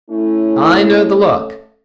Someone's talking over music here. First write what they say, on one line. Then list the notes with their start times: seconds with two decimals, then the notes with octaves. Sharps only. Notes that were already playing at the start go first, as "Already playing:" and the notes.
"I know the look."
0.10 A3 C#4 E4